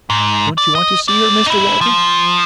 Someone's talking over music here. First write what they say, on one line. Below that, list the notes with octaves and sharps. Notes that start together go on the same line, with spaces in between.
"Don't you want to see her, Mr Walton?"
G#2
D5
D#5
C4 D5
D#4 E4
F3